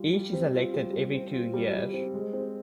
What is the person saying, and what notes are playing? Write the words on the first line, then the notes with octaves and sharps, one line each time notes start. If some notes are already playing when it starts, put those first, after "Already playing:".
Each is elected every two years.
Already playing: G3 F4
G3
C4
F4
G3
G3
C4
F4
G3
G3
C4
G#3
C4